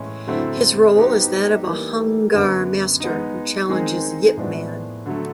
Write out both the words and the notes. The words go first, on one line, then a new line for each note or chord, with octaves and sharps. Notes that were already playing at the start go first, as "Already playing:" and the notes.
His role is that of a Hung Gar master who challenges Yip Man.
Already playing: A2 E3 G#3 C#4
D3 F#3 A3 C4 E4
F#3 B3 D#4 G4 C5
E3 G3 A#3 D#4
F#2 D3 F#3 B3
G#3 B3 D#4
D#3 G#3 C4 D#4 G#4
A2 F3 G#3 B3 D4
D3 F#3 A3